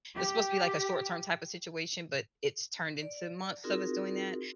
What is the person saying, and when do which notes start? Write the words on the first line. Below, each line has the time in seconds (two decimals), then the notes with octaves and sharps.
was supposed to be, like, a short-term type of situation, but it's turned into months of us doing that,
0.17 G4
3.03 D5
3.64 C4 D#4 F4 F#4 G#4 A#4